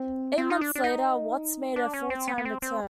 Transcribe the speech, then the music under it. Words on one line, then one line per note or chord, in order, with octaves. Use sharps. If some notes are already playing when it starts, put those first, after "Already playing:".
Eight months later Watts made a full-time return.
Already playing: C4
C4
D#4
D4
D4
D#4
D4
C#4
C4
B3
B3
C4
C4